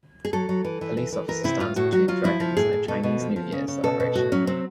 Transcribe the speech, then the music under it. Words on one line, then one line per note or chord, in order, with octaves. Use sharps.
A police officer stands between dragons in a Chinese New Year celebration.
G#4
F#3 A4
F#3
E3
E3
E3
E3
E3 A#4
C3 E4
A2 F4
A2 F#4
F#3 F#4
F#3 F4
F3 E4
F3
A2 G#4
A2
B2 A4
B2
F3
F3
C#3
C#3
B2 A4
B2
A2 F#4
F#3 C#4
C3 C4